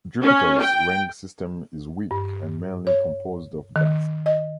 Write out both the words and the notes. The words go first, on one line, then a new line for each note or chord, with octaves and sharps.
Jupiter’s ring system is weak and mainly composed of dust.
C#4
G5
G2
C#5
D#3
D#5